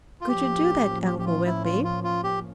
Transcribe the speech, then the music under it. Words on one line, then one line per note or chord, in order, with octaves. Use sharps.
"Could you do that, Uncle Wiggily?"
F4
A2 F3 A#3 C#4 G4
G4
G4
F4
E4
F4
F4
F4
G4